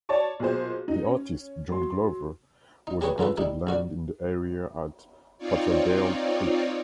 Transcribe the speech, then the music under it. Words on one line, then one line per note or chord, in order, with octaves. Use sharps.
The artist John Glover was granted land in the area at Patterdale creek.
C#5 D5 A5 C#6
B1 A#2 G#4 C5
D#4
C#4
F#3 C6
D#4
F#3 G4 G#4 B4 C#5
F2 C#3 F4 A4 B4
G3 D#4 E4 G4
A#1 F#4 D5
C4 D#4 F4 C#5 D5